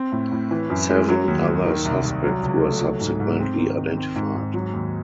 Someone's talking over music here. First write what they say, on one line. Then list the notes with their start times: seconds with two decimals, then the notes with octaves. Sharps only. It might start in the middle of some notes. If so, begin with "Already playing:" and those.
Seven other suspects were subsequently identified.
Already playing: C4
0.12 A2
0.32 A2
0.51 E3
0.70 F#2
0.89 G#3
1.09 F#3
1.28 D#2
1.47 D#2
1.66 D#3
1.85 C2
2.05 C2
2.24 F#3
2.43 C#2
2.62 A3
2.81 F#3
3.00 G#2
3.20 G#2
3.39 C4
3.58 D#3
3.77 D#3
3.96 C4
4.16 G#2
4.35 G#2
4.54 F#3
4.73 D#2